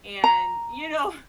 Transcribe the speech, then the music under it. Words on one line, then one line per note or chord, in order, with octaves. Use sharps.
And, you know,
A#5